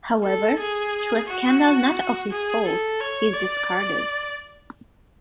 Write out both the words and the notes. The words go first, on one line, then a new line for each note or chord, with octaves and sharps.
However, through a scandal not of his fault, he is discarded.
A4
G#4
F#4
G#4
A4
C#5
D5